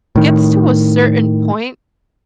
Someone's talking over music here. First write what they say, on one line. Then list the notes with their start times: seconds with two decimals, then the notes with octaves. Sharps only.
gets to a certain point
0.16 A2 D#3